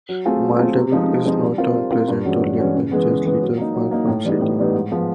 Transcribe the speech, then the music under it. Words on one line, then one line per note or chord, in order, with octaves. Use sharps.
Maltepe is not unpleasant to live in, just a little far from the city.
F#3
A3 C4 F4 G#4
F#3
A3 C4 F4 G#4
C3
F3 G#3 C4 D#4
C3
F3 G#3 C4 D#4
G3
C4 F4 A#4
G3
C4 F4 A#4
G2
E3 G#3 C#4 F#4
G2
E3 G#3 C#4 F#4
C#3
E3 G#3 B3
C#3
E3 G#3 B3
F#3
A#3 D#4
F#3
A#3 D#4
A2
E3 G3 B3 D#4
A2
E3 G3 B3 D#4
G#2
F3 G#3 B3